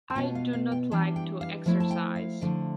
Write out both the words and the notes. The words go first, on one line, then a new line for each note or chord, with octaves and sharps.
I do not like to exercise.
A5
B2 B3 F4 G5
F5
F5
G5
E3 G3 B3 D4 A5
G5
F5
F3 A3 E4
A5
G5
F5
D3 F3 A3